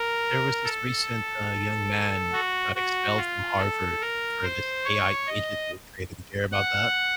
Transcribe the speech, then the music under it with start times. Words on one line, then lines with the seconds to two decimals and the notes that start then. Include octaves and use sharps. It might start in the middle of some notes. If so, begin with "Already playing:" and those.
There was this recent, uh, young man, he got expelled from Harvard for this AI agent he had created. Did you hear about that?
Already playing: A#4
0.64 A4
2.33 F#4
2.75 F#4
3.17 F4
3.58 A4
4.01 A#4
4.43 C5
4.85 C#5
5.27 D#5
6.52 F#5